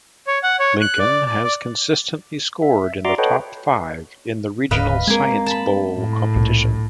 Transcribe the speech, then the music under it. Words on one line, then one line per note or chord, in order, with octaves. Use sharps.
Lincoln has consistently scored in the top five in the Regional Science Bowl competition.
C#5
F#5
C#5
F#6
D5
D5
D5
E5
F#4 D5 E5 A#5 C6 D6
A4 B4 C#5 D#5 F#5 G5
D1 D2 G#2 B4 D#5 F5
G#3 A#3 C4 G#5
A5 B5
A2
C2 A#2